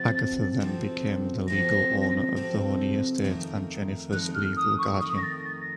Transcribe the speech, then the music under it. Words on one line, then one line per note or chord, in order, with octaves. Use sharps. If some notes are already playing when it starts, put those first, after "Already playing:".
Agatha then became the legal owner of the Honey estate and Jennifer's legal guardian.
Already playing: C3 F3 C4 F#4 A4 A6
C3 F3 C4 F#4 A4
C3 F3 C4 F#4 A4 A#6
C3 F3 C4 F#4 A4
F2 D#3 A3 D#4 A#4
F2 D#3 A3 D#4 A#4 F#6
F6
D#6
C#6
F2 D#3 A3 D#4 A#4 D#6
A#6
A6
A6
A#6